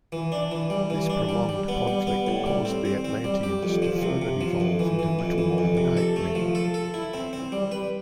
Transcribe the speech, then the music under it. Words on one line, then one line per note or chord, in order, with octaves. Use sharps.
This prolonged conflict caused the Atlanteans to further devolve into little more than ape-men.
E3
D4
E3
G3
E3
D4
G3
G3
B3
G3
B3
A2
G3
C4
C4
C4
G3
G4
F2
F3
C3
C3
F3
F2
E3
E3
F2
E3
F2
C3
A4
A3
F3
A4
A4
E4
C4
C4
G3
B4